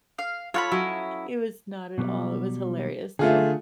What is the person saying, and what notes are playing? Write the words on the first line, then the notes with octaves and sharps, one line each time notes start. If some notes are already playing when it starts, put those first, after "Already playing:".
It was not at all. It was hilarious, though.
F5
F4 A4 C#5 F5 F#5 B5
F#3 C#4 E4 D#5
B2 F#3 G3
D3 A3 F4 G#4